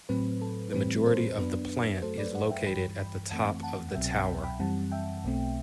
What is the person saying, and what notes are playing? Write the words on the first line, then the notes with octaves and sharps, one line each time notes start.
The majority of the plant is located at the top of the tower.
A2 F#3 C4 B4
A4
A2 E3 G3 C4 B4
A4 C5
F#2 F#3 B3 D4 B4
F#2 F#3 A3 A4 C5
B4 D5
D5 F#5
E5 G5
G2 E3 G3 G5 B5
G5 B5
F#2 E3 A3 C4 F#5 A5
F#5 A5
F#5
C2 B2 F#3 C4 E5 G5
F#5 A5
G5 B5
G5 B5
F#2 E3 G3 C4 F#5 A5
E5 G5
B1 B2 A3 C4